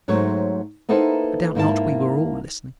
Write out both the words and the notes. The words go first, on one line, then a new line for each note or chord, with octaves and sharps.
I doubt not we were all listening.
G#2 F#3 A3 C5 C#5
A#3 B3 D#4 E4 A4 C5
G#2 A#3 E4 A5